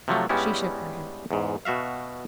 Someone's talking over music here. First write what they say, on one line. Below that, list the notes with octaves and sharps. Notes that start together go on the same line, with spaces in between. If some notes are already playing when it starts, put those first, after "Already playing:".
She shook her head.
C3 F3 F#3 A3
G2 G3 G#3 B3 C#4 E4
E2 G#2
B2 F#4 E5 F5